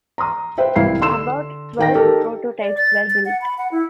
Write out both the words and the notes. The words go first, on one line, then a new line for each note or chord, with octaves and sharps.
About twelve prototypes were built.
A#5 C6 D#6
B4 C5 E5 G5
C2 E4 F5 C7
D3 C6 E6 E7
D#3 G5 A#6
D#4 G4 A4 A#4
D5
A6
A6
F#5
B5
F#5
E4